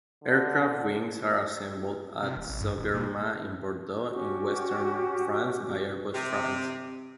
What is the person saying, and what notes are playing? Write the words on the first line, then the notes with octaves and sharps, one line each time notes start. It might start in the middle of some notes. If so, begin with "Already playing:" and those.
Aircraft wings are assembled at Sogerma in Bordeaux in western France by Airbus France.
D3
C3
D1
A1
G2
D#1
A#2
C#4 F#4 G4
C3